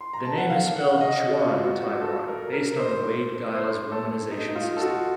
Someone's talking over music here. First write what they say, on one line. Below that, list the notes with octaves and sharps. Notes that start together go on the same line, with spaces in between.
The name is spelled Chuan in Taiwan, based on the Wade-Giles romanization system.
C6
A#5
A5
F#5
F5
F#5
F5
D#5
F#4
F4
F#4
F#4
A4
A#4
A#4
C5
C5
A4
D#4
D#4
F4
A4
F#4